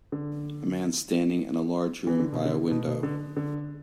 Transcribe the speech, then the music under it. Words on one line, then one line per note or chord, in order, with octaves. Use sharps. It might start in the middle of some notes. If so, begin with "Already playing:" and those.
A man standing in a large room by a window.
D3
E3
D3
B2
D3
B2
B2
D3
D3